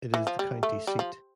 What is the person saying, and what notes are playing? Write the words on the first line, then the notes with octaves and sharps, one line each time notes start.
It is the county seat.
E3
F3
G3
A3
G3
F3